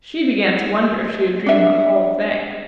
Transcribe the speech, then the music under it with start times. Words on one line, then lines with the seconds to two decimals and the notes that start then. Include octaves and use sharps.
She began to wonder if she had dreamed the whole thing.
1.46 D4 E5